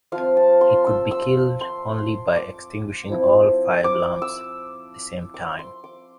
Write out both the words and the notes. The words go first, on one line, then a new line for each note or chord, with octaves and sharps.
He could be killed only by extinguishing all five lamps the same time.
F3 C4 F4 F5
A5
C6
E6
E6
C6
C6
D6
F3 C4 E4
D6
E6
D6
C6
D6